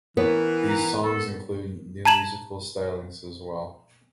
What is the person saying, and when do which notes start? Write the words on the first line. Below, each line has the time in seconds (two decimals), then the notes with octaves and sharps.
These songs include new musical stylings as well.
0.17 E3 B3 A#4 C#5
0.69 A#5
1.04 A4
2.05 A5 A#5 G#6 E7 F#7